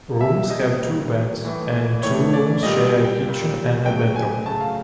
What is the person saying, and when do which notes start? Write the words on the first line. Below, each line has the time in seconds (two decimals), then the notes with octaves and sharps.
Rooms have two beds and two rooms share a kitchen and a bathroom.
0.20 A#2 G3 E5
0.50 D#5
0.81 A#2 G3
1.42 A2 E3 A3
2.02 A2 E3 A3 C#5
2.33 D5
2.63 A#2 G3 D#5
3.05 G5
3.24 A#2 G3
3.85 C#3 F#3 A3 G5
4.16 G#5
4.46 C#3 F#3 A3 A5
4.61 F5